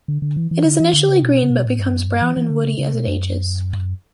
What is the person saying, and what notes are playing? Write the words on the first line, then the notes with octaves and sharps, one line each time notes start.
It is initially green but becomes brown and woody as it ages.
D3
D3
E3
E3
D3
E3
D3
C#3
B2
C#3
B2
A2
G2
F#2
G2
E3
E3
D3
C#3
C#3
B2
F#2
G2
F#2